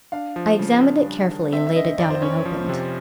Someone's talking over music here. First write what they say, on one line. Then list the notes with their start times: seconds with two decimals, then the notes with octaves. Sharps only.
I examined it carefully, and laid it down unopened.
0.12 D4 F5
0.36 F3
0.59 C#3
0.82 D4
1.06 G3
1.29 D#3
1.52 C4 E5
1.67 E5
1.76 D3 D#5
1.99 F2 D5
2.10 C5
2.22 C#4 C#5
2.46 F3
2.57 C5
2.69 C3